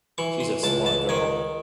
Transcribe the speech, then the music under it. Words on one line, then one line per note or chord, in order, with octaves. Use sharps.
She’s a smart girl.
E3 C#6
C6
C#2 A5
A5
D#3 G#5